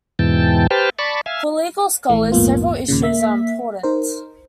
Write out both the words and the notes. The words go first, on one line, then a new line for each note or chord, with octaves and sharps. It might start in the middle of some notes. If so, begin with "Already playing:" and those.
For legal scholars, several issues are important.
E2 G#2 B2 E3 G5 A5
G4 B4 C5 G5 A5 F6
D5 A5 B5 C#6
E5 F5 G#5
A#1 E3 A3
A#1 E2 G#2 A#3 B3 F4
D#2 A#2 C#3
A#3 E5 B6
D#4 A#4 C5